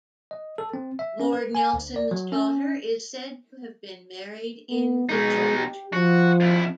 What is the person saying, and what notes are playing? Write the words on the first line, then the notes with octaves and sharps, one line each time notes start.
Lord Nelson's daughter is said to have been married in the church.
D#5
A4
C4
E5
C#4
B4
G#5
D2
D5
F#3
C#4
B3
B2 G#3 D#4
G4
F3 F#4
F2 E4